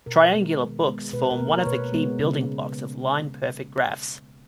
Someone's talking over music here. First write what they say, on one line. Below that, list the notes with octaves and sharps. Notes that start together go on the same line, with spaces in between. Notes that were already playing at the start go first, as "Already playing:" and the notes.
Triangular books form one of the key building blocks of line perfect graphs.
B2 A#4
G#3 B3
D#3
G#3 B3
B2 B4
A#4
A#3
A#4
C#5
B2 B4
G#3 B3
C#3